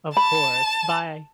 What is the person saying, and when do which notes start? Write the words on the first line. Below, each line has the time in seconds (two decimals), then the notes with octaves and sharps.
Of course. Bye.
0.17 A5 B5